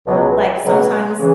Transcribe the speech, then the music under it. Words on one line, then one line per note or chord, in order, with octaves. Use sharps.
like sometimes
C#2 B2 F#3
C#2 B2 F#3
C#3 E3